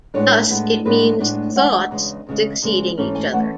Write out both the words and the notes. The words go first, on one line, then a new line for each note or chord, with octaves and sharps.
Thus it means "thoughts succeeding each other".
A2 G#3 B3 D4 C#5
A2 G#3 B3 D4
A2 G#3 B3 D4 B4
A2 G#3 B3 D4
E2 C#3 G#3 F#5
E2 C#3 G#3
E2 C#3 G#3
E2 C#3 G#3
G#2 E3 A3 C#4
G#5
E3 A3 C#4 F#5